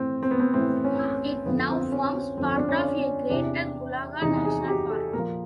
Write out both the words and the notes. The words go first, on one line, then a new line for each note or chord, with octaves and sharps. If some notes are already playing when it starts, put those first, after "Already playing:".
It now forms part of a greater Gulaga National Park.
Already playing: A2 E3 C4
C4
B3
C4
A2 E3 C4
C#4
F2 D3 F3 B3
C4
C#4
C4
F2 D3 F3 C4
D4
C#4
C#4
E2 C3 E3 D4
E2 C3 E3 D#4
G#4
F#4
G4
A4
A#2 F3 A#4